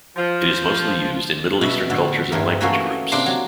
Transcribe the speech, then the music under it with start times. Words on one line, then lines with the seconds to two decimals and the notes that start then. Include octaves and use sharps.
It is mostly used in Middle Eastern cultures and language groups.
0.17 F3
1.61 B2 E5 B5
1.90 A2 D3
2.32 G2 E3 A#4
2.61 E3 A3 A#3 C#4 F#4 A#5
3.12 C3 A#3 D4 C6
3.26 F#3